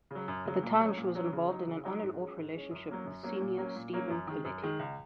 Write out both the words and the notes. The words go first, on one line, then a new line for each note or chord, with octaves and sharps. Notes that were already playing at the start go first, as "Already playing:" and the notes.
At the time, she was involved in an on-and-off relationship with senior Stephen Colletti.
C#3 F#3
F#2
C#3 F#3
A#2
F#3 C#4
A#2
F#3 C#4
C#3
F#3 D#4
C#3
F#3 D#4
G#2
G#3 C#4
G#2
G#3 C#4
F#2
F#3 A#3 C#4
F#2
F#3 A#3 C#4
A#2
F#3 A#3 C#4
A#2
F#3 A#3 C#4
F#2
D#3 G#3
F#2
D#3 G#3
C#2